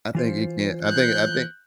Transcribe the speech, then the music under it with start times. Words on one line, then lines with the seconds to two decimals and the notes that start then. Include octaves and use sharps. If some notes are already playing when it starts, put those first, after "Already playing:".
I think it can I think I think,
0.15 E3 F4 C5
0.86 F#6 G6